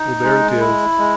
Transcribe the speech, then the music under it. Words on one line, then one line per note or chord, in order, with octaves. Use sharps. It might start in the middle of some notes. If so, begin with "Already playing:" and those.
Well, there it is.
Already playing: D#4
G#3
E4
G#3